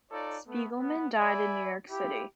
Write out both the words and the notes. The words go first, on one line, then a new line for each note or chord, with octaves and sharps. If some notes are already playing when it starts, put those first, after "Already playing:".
Spiegelman died in New York City.
D#4 F4 A4 C#5 D5
A3 B3
B3
D5 E5 G#5 B5
E4 F4 G4